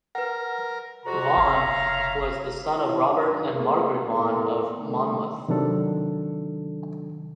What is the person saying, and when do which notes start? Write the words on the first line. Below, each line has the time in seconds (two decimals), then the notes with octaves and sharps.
Vaughan was the son of Robert and Margaret Vaughan of Monmouth.
0.15 A#4 B4 F#5
1.05 F2 C3 F#4 A#5
1.37 F#1 C#5 E5 F5
2.74 E4 C#5
3.05 F#2 D4 D#4
3.52 A3 A#3 C4 G#4
4.05 E2 A2 B3 A4 A#4
4.78 D3 D#3 G3 A3
5.48 C3 D#3 F#3 D4 A4